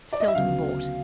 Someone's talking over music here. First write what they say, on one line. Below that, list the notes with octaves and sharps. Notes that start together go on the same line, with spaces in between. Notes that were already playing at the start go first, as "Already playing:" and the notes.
Seldom bought.
D5
D#5
E5
D2 C#3 F#3 B3 F5